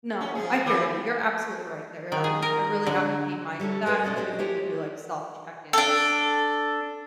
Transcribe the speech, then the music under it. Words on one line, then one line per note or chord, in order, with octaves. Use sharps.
No, I hear you, you're absolutely right there, and I just I really have to pay mine with that and even maybe do like self check-ins
C#4
F3 G#4
E3 C4 B4
D#3
G#4
A#4
D3
G3 C#4 A4 C#5
A#4 B4 F#5 A5
B2 C#4 D5 D#5 A5
C4 D4 G4 C5 D#5
F4 G4 A#4 C5 C#5
D4 A4